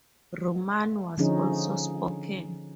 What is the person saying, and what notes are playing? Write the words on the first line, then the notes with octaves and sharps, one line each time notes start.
Romani was also spoken.
D3 F3 C#4 D#4 G#4